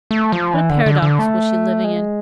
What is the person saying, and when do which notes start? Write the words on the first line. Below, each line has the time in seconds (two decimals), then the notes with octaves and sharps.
What a paradox was she living in!
0.11 A3
0.32 F3
0.53 E3
0.70 D3
0.86 D3
1.02 D3
1.19 A3
1.84 G#3